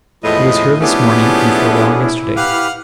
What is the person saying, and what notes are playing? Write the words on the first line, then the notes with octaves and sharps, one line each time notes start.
"He was here this morning and for a while yesterday."
E2 A2 F3 G#3 B4 D#5
F3 A3 B3 C#4 D4 E4 G4 G#4
G4 B4 F5 F#5 F6